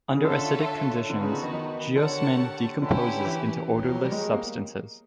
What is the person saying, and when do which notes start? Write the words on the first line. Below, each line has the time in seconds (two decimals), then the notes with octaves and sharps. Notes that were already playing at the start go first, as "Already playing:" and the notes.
Under acidic conditions, geosmin decomposes into odorless substances.
0.12 C#3
0.24 D3 F4 A4 C#5 E5
1.10 D3 B3 D#4 F#4 B4
1.21 C#3
1.32 D3
1.42 D#3
1.53 D#3
1.95 D3 G4 A#4 C#5 F#5 A5
2.82 D3 C#4 E4 G4 B4
3.25 E3
3.68 G4 A#4 C#5
3.84 F3
3.94 F#3
4.03 G3
4.12 G#3
4.33 A#3